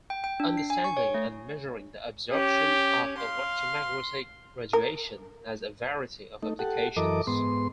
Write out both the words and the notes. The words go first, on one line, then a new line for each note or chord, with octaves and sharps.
Understanding and measuring the absorption of electromagnetic radiation has a variety of applications.
G5
G5
D4
C7
G#5
C#6
C#5
A3
C#4 G4
F5 C6
A#4
A3 D#4
G4 A4 F#5
F#2 E3 A4 A#4 D#5 D6
G#2 B3 C6